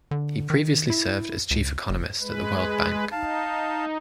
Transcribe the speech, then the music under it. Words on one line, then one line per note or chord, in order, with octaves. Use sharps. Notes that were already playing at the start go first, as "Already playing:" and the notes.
He previously served as chief economist at the World Bank.
D3
D#3
E4
C#2
F#1
G#3 B4
D#4 F5 A5